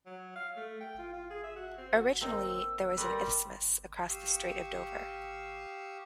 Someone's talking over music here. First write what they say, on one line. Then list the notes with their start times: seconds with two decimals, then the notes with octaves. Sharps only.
Originally there was an isthmus across the Strait of Dover.
0.06 F#3
0.36 F5
0.57 A3
0.80 G5
0.98 F4
1.13 F4
1.30 G#4
1.43 E5
1.56 F#4
1.78 C4
1.95 F#4
2.21 A#3 C4 D#4 E6
2.98 G3 A#4 B4 C6
4.09 G4 F5 C#6 D#6 E6